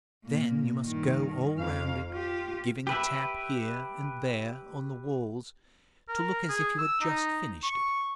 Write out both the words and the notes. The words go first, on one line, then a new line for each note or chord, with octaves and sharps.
Then you must go all round it, giving a tap here and there on the walls to look as if you had just finished it.'
A#2 A#3
G2 D#3
F2 F5
F4 G4
G4 B4 E5
A#4
G#4
E6
D#4
C#6